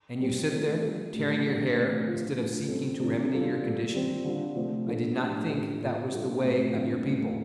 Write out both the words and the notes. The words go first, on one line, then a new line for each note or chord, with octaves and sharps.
"And you sit there, tearing your hair, instead of seeking to remedy your condition; I did not think that was the way of your people."
G3 C4 G4
F3 A3 D4 A4
G3 F4 A4
A2 A3 D4 G4
D3 G3 D4 G4
A2 A3 C4 G4
D3 F3 D4 F4
A2 F3 D4 F4
G3 C4 A4
C3 F3 D4
D3 G3 D4 F4 A4
G3 F4 A4
G3 C4 G4
D3 G3 F4
C3 F3 A3 C4
F3 D4 A4
A2 F3 D4 G4
A2 A3 D4 G4
A2 A3 F4
G3 D4 F4 A4
A2 A3 C4
D3 F3 C4
A2 G3 C4